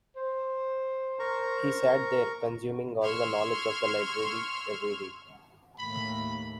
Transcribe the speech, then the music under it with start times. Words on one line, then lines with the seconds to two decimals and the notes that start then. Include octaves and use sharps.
He sat there consuming all the knowledge of the library every week.
0.16 C5
1.19 A#4 A#5 C#6
3.02 C6 C#6 E6 F6 G#6
5.79 D#2 A2 B5